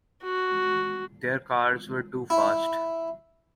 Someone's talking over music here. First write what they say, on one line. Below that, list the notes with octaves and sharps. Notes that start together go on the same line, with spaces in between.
Their cars were too fast.
F#4
E4